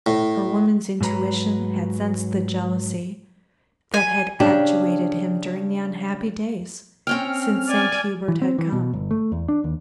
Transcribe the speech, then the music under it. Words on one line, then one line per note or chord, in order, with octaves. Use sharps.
Her woman's intuition had sensed the jealousy that had actuated him during the unhappy days since Saint Hubert had come.
A2
G#2 F#3 B4 A#5
G#5
C#3 D4 G4
C4 C#4 G5 F6
D5 G#5
E3
C4
E3
B2
G1
A3
E2
D4
D#2